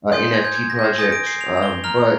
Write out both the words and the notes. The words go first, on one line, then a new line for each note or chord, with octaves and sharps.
uh, NFT projects, um, but
G#5 C6 D#6 G6
G#6
G6
G#6
A#6
G6
G#6
G#5 D#6 G6 A#6
D7
C7
F7
F7
G7
A#5 F6 F7